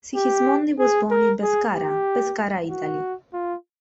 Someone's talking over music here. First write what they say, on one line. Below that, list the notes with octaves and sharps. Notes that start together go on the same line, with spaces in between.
Sigismondi was born in Pescara, Pescara, Italy.
G4
G#4
A#4
G#4
G4
F#4
F4